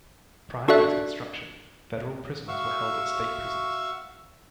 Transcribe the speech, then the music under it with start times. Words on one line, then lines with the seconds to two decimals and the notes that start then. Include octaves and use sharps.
Prior to its construction, federal prisoners were held at state prisons.
0.68 D4 F#4 A4 D5 E5 F#6
2.48 F#4 E5 F5 C#6 E6